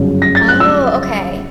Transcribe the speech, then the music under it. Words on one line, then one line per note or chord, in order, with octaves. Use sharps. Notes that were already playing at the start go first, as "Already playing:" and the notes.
Oh, okay.
Already playing: G1 F#2 C#3
A#6
A6
F#6
E6